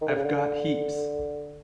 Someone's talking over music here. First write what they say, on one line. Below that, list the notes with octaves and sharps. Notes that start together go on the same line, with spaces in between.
I've got heaps.
D#3
D3
C#3
D3